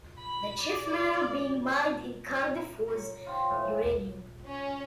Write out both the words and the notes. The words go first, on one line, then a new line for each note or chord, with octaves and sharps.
The chief mineral being mined in Cardiff was uranium.
B5
D5
A#4
C#5
F4 G4 C5
A2 E3
C#4